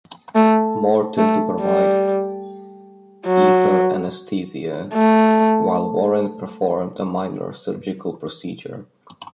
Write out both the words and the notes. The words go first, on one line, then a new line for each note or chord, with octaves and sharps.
Morton to provide ether anesthesia while Warren performed a minor surgical procedure.
A3
A3
G3
F#3
A3